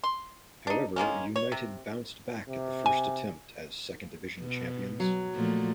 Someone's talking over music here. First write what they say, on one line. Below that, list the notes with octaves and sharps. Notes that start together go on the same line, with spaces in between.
However, United bounced back at the first attempt as Second Division champions.
C6
D4 D#4
D#3 G#3 A#3 C#4
C#5
C3
C3
G#5
B2
F#3
A#2 F3 A3